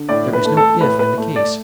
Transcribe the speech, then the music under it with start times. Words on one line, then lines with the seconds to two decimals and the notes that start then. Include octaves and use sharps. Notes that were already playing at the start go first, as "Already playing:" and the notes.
'There is no "if" in the case.
Already playing: D3
0.09 A2 D5
0.33 B4
0.45 A3
0.57 A4
0.81 A2 B4
0.99 B4
1.18 A3
1.36 D5